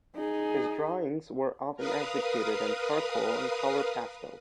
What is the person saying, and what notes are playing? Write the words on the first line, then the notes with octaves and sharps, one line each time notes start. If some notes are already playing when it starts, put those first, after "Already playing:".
His drawings were often executed in charcoal and colour pastels.
D#4 G#4
A#4 B4 F5 D#6